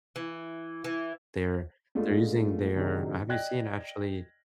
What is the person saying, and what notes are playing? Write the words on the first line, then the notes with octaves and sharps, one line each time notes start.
they're they're using their have you seen actually,
E3
E3
G#3 A3 B3 D4 F4
F#1 C3 D#3 F#3 D4 G#4
D5 D#5 G5 F#6 G#6 A#6